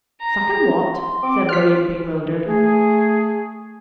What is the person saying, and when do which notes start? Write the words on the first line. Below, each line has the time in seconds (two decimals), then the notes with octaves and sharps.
"Suckin' wot?" said William, bewildered.
0.21 A#5
0.93 C6
1.23 C4 D6
1.49 F4 F6 B6
2.46 A3 G#4